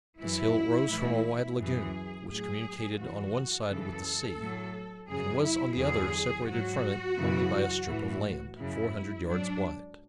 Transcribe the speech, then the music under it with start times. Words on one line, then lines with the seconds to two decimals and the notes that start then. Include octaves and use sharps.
This hill rose from a wide lagoon, which communicated on one side with the sea, and was on the other separated from it only by a strip of land, four hundred yards wide.
0.20 F#2 E3 E4
0.89 A2 E3
1.59 F#2 E3 G#4
2.29 A2 F#3 G#4
2.99 F#2 E3 F#4
3.68 F#2 C#3 E3 A4
4.39 A2 F#3
5.08 F#2 C#3 F#3 G#4
5.44 E4
5.78 E2 D3 F#3 G#4
6.49 G#2 F#3 F#4
7.18 F#2 C#3 E3
7.88 A2 E3
8.58 F#2 C#3 F#3 E4
9.27 G#2 F#3 D4